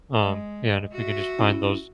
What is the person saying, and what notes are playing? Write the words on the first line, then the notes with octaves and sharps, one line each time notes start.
um, yeah, and if we can just find those,
G#3 D#5
F#4 E5
C#4 E4